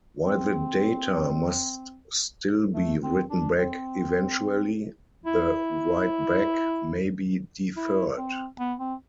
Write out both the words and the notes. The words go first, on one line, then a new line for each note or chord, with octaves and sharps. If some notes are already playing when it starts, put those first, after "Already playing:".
While the data must still be written back eventually, the write-back may be deferred.
C4
A3
C4
D4
C4
E4
E4
C4
B3
C4